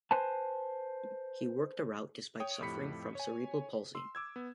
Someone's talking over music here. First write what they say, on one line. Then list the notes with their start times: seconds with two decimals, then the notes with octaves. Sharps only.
He worked a route despite suffering from cerebral palsy.
0.11 B4 C5 G#5 A5
2.40 C#5 G5 D#6
2.61 F2 A2 G4 B5 B6 C#7
3.15 C#5 G#5
3.95 C6 E6
4.15 D6 E6 G#6
4.36 B3